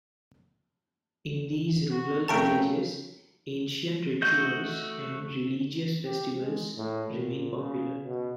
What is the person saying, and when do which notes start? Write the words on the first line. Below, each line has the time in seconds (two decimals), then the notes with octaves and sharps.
In these rural villages, ancient rituals and religious festivals remain popular.
1.91 F#4
2.28 C#3 A3 A#4 G5 A5 A#5 C#6 D7
4.22 A3 F#4 D#5 G6
6.05 G4
6.40 G#3
6.78 A2
7.10 A#2
7.57 C#3
8.05 B2